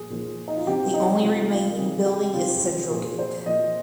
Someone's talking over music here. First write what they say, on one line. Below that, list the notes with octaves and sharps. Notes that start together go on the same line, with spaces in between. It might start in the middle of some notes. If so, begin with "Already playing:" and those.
The only remaining building is central gate.
Already playing: A#2 F3 G#4
A#2 F3
D#4
F4
C3 F3 G4
D#4
C3 F3 F4
F4
A#4
C3 D#3 G#4
G4
C3 D#3 F4
F4
A#2 F3 G#4
C5
A#2 F3 D#5